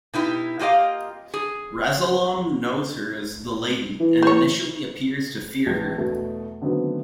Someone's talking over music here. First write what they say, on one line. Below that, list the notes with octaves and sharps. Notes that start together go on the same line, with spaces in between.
Rasalom knows her as The Lady, and initially appears to fear her.
B2 D#4 E4 G4
A#3 F4 G4 D#5 F5
G#4
E3
C5 C#5
A#1 E3 G#3 A6
E2 B2 A3 B3
D3 D#3 F#3 A3 B3 C4